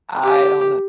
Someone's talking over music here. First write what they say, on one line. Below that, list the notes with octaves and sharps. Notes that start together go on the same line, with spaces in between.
I don't know.
G4